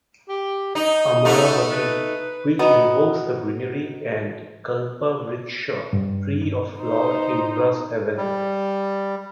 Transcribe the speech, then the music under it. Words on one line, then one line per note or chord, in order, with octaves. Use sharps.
Amaravathi, which invokes the greenery and Kalpavriksha tree of Lord Indra's heaven.
G4
D#4 D#5
A3 B3 D#4
B4
B3 D#4 F#4
G2
D#4 C5
G3